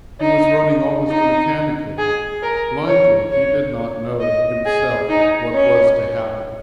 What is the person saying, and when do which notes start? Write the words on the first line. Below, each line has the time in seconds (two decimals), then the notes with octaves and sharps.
He was running almost mechanically, blindly; he did not know himself what was to happen.
0.21 D#4
1.09 D#4
1.98 G#4
2.43 A#4
2.87 C#5
3.31 C#5
4.20 D#5
4.65 G#4
5.10 D#4
5.54 C#4